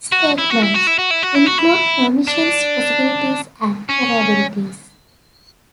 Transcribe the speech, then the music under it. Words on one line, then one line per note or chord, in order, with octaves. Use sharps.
"Statements" include permissions, possibilities and capabilities.
F#4
E4
F#4
E4
F#4
E4
F#4
E4
F#4
E4
F#4
E4
D4
C#4